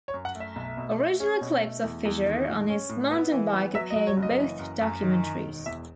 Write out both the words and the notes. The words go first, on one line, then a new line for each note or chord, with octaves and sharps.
Original clips of Fisher on his mountain bike appear in both documentaries.
C#5
F#2
F#5
A3
E5
B1
B2
A3
C#4
B2
A3
E2
E2
D#3
A2
C#4
A2
B3
E3
B3
F#3 E5
D#5
F#3
C#5
F#1
D#5
E3
F#2
F#2
D#3
D#3
E1
E2 E5